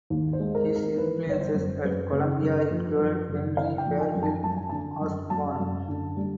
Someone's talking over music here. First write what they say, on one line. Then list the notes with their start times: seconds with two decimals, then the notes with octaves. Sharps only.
His influences at Columbia included Henry Fairfield Osborn.
0.10 D#2
0.33 C5
0.40 G#3
0.55 A#4
0.69 D#3
0.76 A#4
0.97 E3 B4
1.27 G1 C#5
1.41 C5
1.55 F#2
1.84 F#2 B4
2.13 C#3
2.42 F#2
2.70 F3
2.99 F#2
3.29 F#1
3.57 D3 F5
3.78 G5
3.87 F3
4.00 G#5
4.15 F#2
4.23 A5
4.43 F#3 A5
4.57 G#5
4.69 D3 A5
5.01 F#2
5.30 F#3 A5
5.60 F#2
5.89 D3
6.17 G3